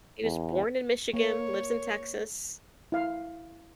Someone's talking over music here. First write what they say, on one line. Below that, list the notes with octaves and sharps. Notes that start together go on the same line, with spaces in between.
He was born in Michigan, lives in Texas
E2
A#3 C#5
E4 F5